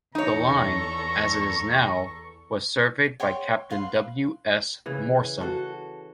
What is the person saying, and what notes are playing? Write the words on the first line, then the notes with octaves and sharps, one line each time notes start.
The line, as it is now, was surveyed by Captain W S Moorsom.
E2 D#4 A4 C#5 A#5 C#6
C#5 G5 C6 C#6
B4 F5 C6
C#3 E3
F#4 A4